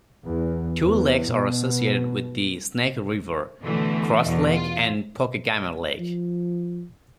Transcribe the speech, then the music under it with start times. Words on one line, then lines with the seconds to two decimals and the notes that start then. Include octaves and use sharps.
Two lakes are associated with the Snake River: Cross Lake and Pokegama Lake.
0.24 E2
0.81 E2
1.32 B2
3.62 B2 D3 E3 A3
4.24 E2 B2
4.53 F4
5.99 F3